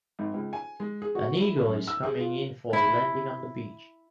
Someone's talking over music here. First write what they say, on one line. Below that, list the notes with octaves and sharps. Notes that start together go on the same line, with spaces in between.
An eagle is coming in for a landing on the beach.
G#1
C#2
G#5
G#3
G#4
F#4
E4
F#2
E6
G#4
F4
E4